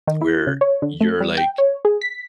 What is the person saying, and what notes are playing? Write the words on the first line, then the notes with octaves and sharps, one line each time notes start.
where you're, like,
D#3
E4
C#3
C#5
D3
A3
G3
G5
C#5
G#4
B6